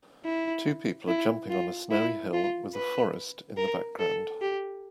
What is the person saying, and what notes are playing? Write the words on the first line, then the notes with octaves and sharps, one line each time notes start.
Two people are jumping on a snowy hill with a forest in the background.
E4
E4
F4
E4
F4
B4
A#4
A4
G4